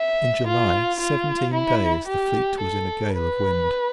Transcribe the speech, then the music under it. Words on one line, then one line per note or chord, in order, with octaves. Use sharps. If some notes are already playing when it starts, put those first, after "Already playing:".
In July, seventeen days the fleet was in a gale of wind.
Already playing: E5
F4
F4
E4
G4
A4
B4